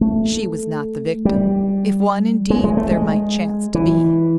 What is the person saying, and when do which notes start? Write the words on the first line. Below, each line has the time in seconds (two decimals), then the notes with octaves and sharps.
She was not the victim, if one indeed there might chance to be.
0.01 A3
1.25 G3
2.50 G#3
2.64 G#3
2.77 A3
2.91 G#3
3.74 E3